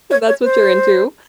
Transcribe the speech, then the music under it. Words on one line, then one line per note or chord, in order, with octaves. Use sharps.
if that's what you're into.
C#5
C#5
C5